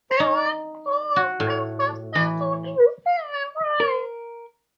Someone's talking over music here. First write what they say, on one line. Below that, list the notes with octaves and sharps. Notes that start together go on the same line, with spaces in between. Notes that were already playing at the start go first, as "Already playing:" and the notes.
The one who was the fastest would receive a prize.
D#4
F#4
A2
E3
A#4